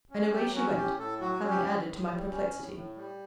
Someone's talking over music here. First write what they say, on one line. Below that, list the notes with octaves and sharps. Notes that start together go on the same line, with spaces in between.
And away she went, having added to my perplexity.
C#4
F#3 G4
C#4 F#4
A2 G4
A2 A4
F#3 F#4
C#4
G4
A2
A2
G3
C#4
A2
A2
G3